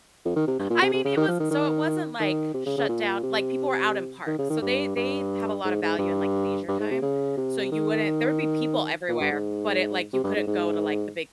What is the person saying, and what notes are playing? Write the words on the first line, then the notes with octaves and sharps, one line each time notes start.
I mean, it was so it wasn't like shut down, like people were out in parks, so they they have a lot of value in like leisure time, so you wouldn't there would be people everywhere, but it like, you couldn't go to like the big
F2
D#3
C3
G2
A#2
C3
C3
C#3
D#3
F3
D#3
D#3
D#3
C3
C#3
C#3
A#2
C3
D#3
C#3
D#3
G2
G2
G#2
G#2
G2
G2
G#2
C3
C#3
C3
D#3
A#2
G2
G#2
C3
G2
G#2
G#2